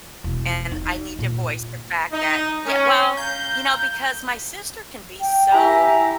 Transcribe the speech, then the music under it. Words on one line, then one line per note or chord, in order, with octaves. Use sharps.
and I need to voice the fact that yea well, you know, because my sister can be so
E1
D#4
A#2
D#4
C#4
F5 A#5 G6
G5
E4 G4 G#5 A#5